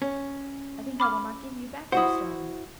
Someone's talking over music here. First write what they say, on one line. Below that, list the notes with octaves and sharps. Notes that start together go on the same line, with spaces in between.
I think I will not give you back your stone.
C#4
B5 D6 F6
E4 F#4 C5 F#5 D#6